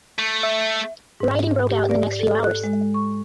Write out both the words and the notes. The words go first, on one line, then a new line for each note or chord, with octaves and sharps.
Rioting broke out in the next few hours.
A3
E5
G#2
G4
D5
A4
F#6
G#3
C#6